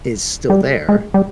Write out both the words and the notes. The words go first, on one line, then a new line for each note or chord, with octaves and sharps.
is still there
G3
G#3
G3